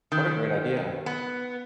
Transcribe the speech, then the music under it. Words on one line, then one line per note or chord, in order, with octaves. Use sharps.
What a great idea.
D#3
B3